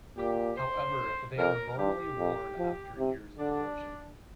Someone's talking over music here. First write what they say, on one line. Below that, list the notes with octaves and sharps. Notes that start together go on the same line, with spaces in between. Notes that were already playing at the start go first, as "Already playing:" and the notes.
However, they are normally worn away after years of erosion.
A#2 G4
C5
F2 A#4
G2 G4
F2
F3
C3
D3 D4